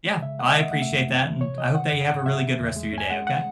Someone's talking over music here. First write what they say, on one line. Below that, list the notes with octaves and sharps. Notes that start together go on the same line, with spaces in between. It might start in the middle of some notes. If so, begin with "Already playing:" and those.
Yeah, I appreciate that, and I hope that you have a really good rest of your day, okay?
G#3
C#3 E5
G#3 F#5
D#5
E5
C#3
E5
A3 F#5
E5
F#2
C4
E3
C3 C#5
F#3 D#5
C#3 F#5
F#2
G#2 F#5
F#3 E5
C#3
E2
G#3
C#4 G#5
G#3 F#5
F#5